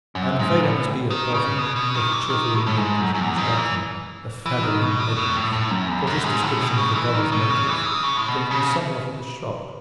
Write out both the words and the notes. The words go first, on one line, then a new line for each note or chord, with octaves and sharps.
I am afraid I must be at bottom, what a cheerful Indian critic has dubbed me, "a faddling hedonist," for this description of the brother's motives gave me somewhat of a shock.
F#2
G#2
A2
D#3
C#3
B2
B2
D#3
E3
D#3
A2
A2
G#2
F#2
F#2
E2
G#2
E3
E3
D#3
B2
A2
B2
G#2
A2
A2
F#2
E2
F#2
G#2
A2
B2
C#3
D#3
E3
D#3
B2
C#3
E3
D#3
C#3
A2
B2
C#3